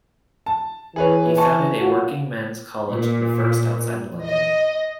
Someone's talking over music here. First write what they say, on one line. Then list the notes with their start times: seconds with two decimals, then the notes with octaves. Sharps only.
He founded a Working Men's College, the first outside London.
0.46 A5
0.96 E3 G#4 B4 C#5
1.37 G#5 A5 C#6
1.80 F#3 F4 F#4
2.90 A#2
4.24 D#5